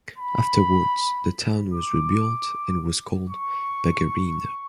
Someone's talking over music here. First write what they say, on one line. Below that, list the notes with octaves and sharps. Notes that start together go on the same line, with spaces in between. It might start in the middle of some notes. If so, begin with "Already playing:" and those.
Afterwards the town was rebuilt and was called Bagherino.
B5
D6
C#6